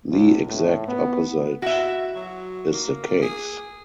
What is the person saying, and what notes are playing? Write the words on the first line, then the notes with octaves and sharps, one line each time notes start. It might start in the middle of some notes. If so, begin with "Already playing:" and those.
The exact opposite is the case.
C#2
A2
B3
E4 F#4 E5
F#3
A#3
G#4